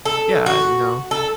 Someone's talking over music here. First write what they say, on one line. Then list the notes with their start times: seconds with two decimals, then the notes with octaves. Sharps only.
yeah, you know?
0.05 A4
0.46 F#4
1.11 A4